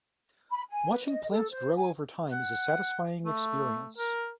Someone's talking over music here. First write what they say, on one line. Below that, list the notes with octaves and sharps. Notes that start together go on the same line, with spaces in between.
Watching plants grow over time, is a satisfying experience.
B5
G#5
B4
D#5
A4
C5
G#5
F#5
A3
A#4